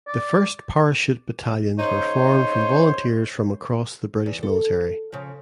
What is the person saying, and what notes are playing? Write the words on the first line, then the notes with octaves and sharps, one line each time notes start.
The first parachute battalions were formed from volunteers from across the British military.
D5
C#3 D#4 C5 C#5
E2
A4
C#3 F3